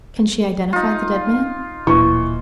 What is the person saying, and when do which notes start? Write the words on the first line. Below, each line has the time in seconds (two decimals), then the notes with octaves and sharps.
"Can she identify the dead man?"
0.73 D#4 F4
1.87 D1 A#2 E3 C#6